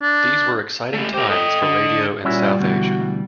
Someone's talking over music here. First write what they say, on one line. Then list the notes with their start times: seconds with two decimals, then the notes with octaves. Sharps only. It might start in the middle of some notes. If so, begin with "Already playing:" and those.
These were exciting times for radio in South Asia.
0.02 D4
0.94 A3 G4
1.14 G4 A#4 C5
1.29 A4 D#5 G5
1.62 D3
2.25 A#2 G3 C#4 E4 F#4
2.59 D2 B2 E3 F#4